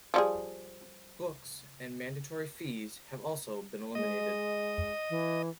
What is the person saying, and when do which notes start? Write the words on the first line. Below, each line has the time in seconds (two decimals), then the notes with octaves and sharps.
Books and mandatory fees have also been eliminated.
0.14 F3 G3 G#4
3.95 G#3 D#5
5.10 E3